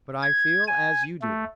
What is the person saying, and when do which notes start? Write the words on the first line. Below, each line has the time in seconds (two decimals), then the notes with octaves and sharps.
But I feel as you do.
0.22 G#6
0.68 G#5
1.22 A3